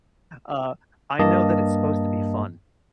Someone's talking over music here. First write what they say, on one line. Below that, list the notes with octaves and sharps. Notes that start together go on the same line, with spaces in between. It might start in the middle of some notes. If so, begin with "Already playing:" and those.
uh, I know that it's supposed to be fun,
G2 A#3 D#5 A5